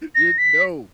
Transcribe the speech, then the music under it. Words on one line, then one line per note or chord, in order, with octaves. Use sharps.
you no,
A#6
B6